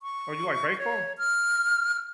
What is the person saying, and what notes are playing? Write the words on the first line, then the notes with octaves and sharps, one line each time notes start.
Oh, you like baseball?
C#6
C#5
F6